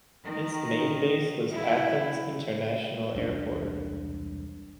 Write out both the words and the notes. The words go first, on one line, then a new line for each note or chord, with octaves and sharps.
Its main base was Athens International Airport.
D#3
E4
E1 C2 D4